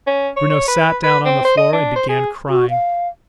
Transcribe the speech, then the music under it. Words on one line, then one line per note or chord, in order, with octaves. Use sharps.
Bruno sat down on the floor and began crying.
C#4
C#5
C#5
B4
B4
C4
C5
D#5
D4
C5
G#4
F#4
F5